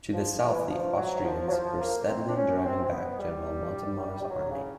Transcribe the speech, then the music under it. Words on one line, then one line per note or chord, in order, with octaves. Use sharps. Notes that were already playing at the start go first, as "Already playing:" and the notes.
To the south the Austrians were steadily driving back General Montemar's army.
F3
E3
F3
F#3
F3
F#3
F3
A#3
C4
D4
C#4
C4
C4
B3
G3
G3
F#3
C#3